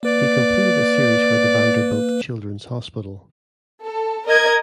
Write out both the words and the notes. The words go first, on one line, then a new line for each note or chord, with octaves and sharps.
He completed a series for Vanderbilt Children's Hospital.
A#3 B4 D5
A4
A#4 D#5 G#6